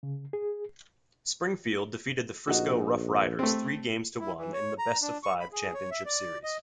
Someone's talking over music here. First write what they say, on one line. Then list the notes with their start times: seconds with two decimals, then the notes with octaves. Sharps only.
Springfield defeated the Frisco RoughRiders three games to one in the best-of-five Championship Series.
0.03 C#3
0.33 G#4
2.48 A#1 D#4 F#4
3.39 A3 C4
4.19 E4
4.37 E3
4.53 C#5
4.78 A#5
5.02 D4
5.23 C#6
5.40 B5
5.52 G#4
5.74 C#5
5.91 E5
6.06 D5
6.43 D#5